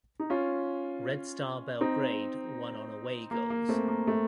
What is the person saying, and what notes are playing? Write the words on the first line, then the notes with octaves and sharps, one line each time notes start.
Red Star Belgrade won on away goals.
D#4
C#4 F4
C4 D#4
A#3
A#3
A3 C4
A#3
A3